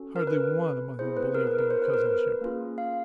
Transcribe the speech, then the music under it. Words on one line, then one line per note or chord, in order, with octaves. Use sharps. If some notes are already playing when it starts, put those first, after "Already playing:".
Hardly one among them believed in the cousinship.
Already playing: C#4 F#4 A4
A#4
B4
B3 E4 G#4 C5
B4
A#4
B4
A#4
C5
B4
A#4
B4
A#3 C#4 F4 G#4
F5